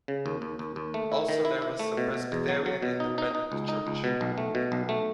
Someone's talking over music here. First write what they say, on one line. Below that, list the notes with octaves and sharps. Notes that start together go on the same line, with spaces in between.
Also there was a Presbyterian Independent Church.
C#3
D#2
D#2
D#2
D#2
A3
E4
D#3
E4
E4
A3
B2
B2
E2
F#3
F#3
B2
D#4
D#4
D#4
C#2
D#4
C#2
B2
B1
A3
B2
B1
A3